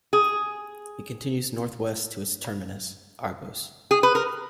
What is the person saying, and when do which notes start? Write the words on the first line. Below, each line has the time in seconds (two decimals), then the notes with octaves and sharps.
It continues northwest to its terminus, Argos.
0.13 G#4
3.91 G#4
4.03 B4
4.15 A#4